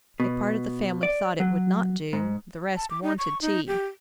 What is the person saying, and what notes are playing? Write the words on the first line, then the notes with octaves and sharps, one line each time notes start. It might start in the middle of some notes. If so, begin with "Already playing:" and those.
A part of the family thought it would not do; the rest wanted tea.
B2
D5
F#3
G#2
A5
D6
D#4
C#6
D#4
G4